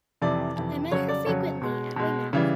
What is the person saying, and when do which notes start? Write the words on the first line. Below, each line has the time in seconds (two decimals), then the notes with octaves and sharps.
I met her frequently at Weymouth.
0.22 F2 C3 E3 D5
0.56 F2 C3 E3
0.91 F2 C#3 F#3 C#5
1.09 D5
1.26 F2 C#3 F#3 C#5
1.62 B2 G#3
1.96 B2 G#3
2.33 C#3 E3 G3